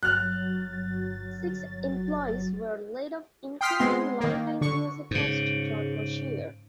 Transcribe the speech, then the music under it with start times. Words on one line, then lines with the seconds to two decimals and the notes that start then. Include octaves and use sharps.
Six employees were laid off including long-time music host Jon Moshier.
0.03 G1 F#3 F6 F#6 A6
3.61 G5 C6 D#6 F6 B6 C7
3.79 G#3 B3 C4 C6
4.20 D#3 A#3
4.61 D3 C#6
5.11 G#2 C#3